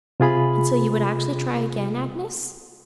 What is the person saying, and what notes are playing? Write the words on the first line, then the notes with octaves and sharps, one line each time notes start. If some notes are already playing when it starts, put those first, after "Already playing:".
'And so you would actually try again, Agnes?'
C3 F4 G#4 B5